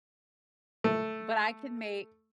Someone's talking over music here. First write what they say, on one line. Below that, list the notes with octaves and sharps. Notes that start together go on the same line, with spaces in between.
But I can make
A3